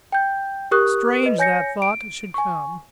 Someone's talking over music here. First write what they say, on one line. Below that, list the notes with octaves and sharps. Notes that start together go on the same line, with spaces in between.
Strange that thought should come!
G5 G6
G4 A#4 C#6 D#6 F#6
B4 D#5
C#5 G#5 G6 A#6 C#7
D7
G#5 C#6